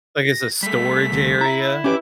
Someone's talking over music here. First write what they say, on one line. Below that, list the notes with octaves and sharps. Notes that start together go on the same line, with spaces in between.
Like, it's a storage area.
A#6
G3 A3 B6
D2
E4 E5 A#5
C#4 G4 B4 D6